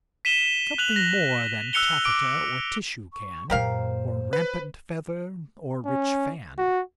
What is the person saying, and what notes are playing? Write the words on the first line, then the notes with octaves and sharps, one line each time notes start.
Something more than Taffata or tissue can, Or rampant feather, or rich fan.
B6 D#7 E7 G7
F#6 F7 F#7
A#6
E6 F#6 C#7 F7 G7
D6 D7
C#6
F#2 A#2 G4 A#4 C5 F5
B4
C#4
F#4